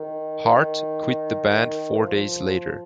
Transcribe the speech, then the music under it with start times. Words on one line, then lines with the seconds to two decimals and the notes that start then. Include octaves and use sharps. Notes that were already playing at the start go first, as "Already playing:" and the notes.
Hart quit the band four days later.
Already playing: D#3
0.45 D#3
1.95 E3
1.99 F3